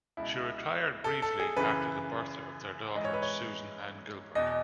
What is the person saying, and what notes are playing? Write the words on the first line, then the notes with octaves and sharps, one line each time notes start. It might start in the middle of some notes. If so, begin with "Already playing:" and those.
She retired briefly after the birth of their daughter Susan Ann Gilbert.
C#2 B2 E4
A4
A4
G#4
F#2 C#3 E3 B4
G#2 E3 D#5
C#5
B4
C#5
E2 B2 D#5